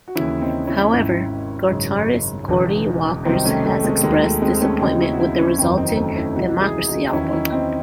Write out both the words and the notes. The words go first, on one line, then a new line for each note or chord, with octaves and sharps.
However, guitarist Geordie Walker has expressed disappointment with the resulting "Democracy" album.
F#4
D#2 C#3 E3 C#4 E4
C4 D#4
C#4 E4
G#1 G#2 D#3 C#4 E4
G#1 F#2 C#3
E1 E2 C#3
C2 C3 D#3 F#3 C4 D#4
A3 C#4
A3
G#3 C4
D#2 D#3 F#3 G#3
A3
G#3 C4
A3 C#4
D#2 C#3 F#3 C4 D#4
C#4 E4
F#4
C#4 E4
C#4 E4
F#1 E2 D#3 F#3 C4 D#4
C4 D#4
A3 C#4
C#4 E4
C#2 C3 E3 D#4 F#4
E4 G#4
D#4 F#4
D#4
E2 D#3 F#3 C#4 E4
D#4
C#4 E4
C4 D#4